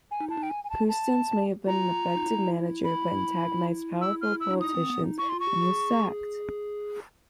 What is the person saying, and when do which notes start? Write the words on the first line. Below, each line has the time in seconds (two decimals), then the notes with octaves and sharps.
Custance may have been an effective manager but antagonized powerful politicians, and was sacked.
0.11 G#5
0.21 D#4
0.29 E4 A5
0.38 D#4
0.43 G5
0.50 G#5
0.64 G#5
0.70 A5
0.89 A5
1.67 F4 A#5
2.16 D#4
2.26 E4
2.84 B5
4.01 E6
4.21 F6
4.40 E6
4.49 D4
4.59 D#4 D#6
4.75 C4
4.90 B3
5.04 D#4
5.18 E4 C#6
5.29 F4 C6
5.40 C#6
5.47 G4
5.62 G#4